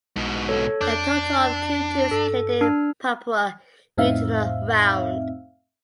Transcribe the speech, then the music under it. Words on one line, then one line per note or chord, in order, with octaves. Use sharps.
A total of two teams played in Papua regional round.
B1 G#2 B2
A4 C#5
F2 D4 D6 G6
G2 A4
D4 F6
F2 A2 C4 D#4 E5 F5